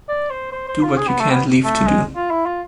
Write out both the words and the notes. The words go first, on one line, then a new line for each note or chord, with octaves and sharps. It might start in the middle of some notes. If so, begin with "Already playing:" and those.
Do what you can’t leave to do.
D5
C5
C5
C5
F4
G#4
B3
A3
B3
A3
G#3
F4
E4
F4